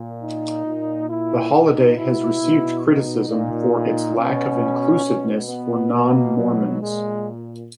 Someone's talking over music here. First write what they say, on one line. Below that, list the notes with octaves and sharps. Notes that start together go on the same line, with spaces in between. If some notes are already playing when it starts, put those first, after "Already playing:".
The holiday has received criticism for its lack of inclusiveness for non-Mormons.
Already playing: A#2
D#4
A#2
E4
B2 D#4
E4
B2
D#4
A#2
D#4
B2 C#4
B2
B3
B2 A#3
F#3
A#2 G#3